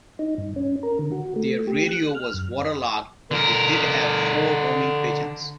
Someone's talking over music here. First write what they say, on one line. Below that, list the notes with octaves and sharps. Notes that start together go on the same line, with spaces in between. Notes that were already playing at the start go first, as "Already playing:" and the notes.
Their radio was waterlogged, but they did have four homing pigeons.
D#4
G2
C#4
A#4
D3
F#4
A3
G4
F#6
F6
F#2
D3 A#4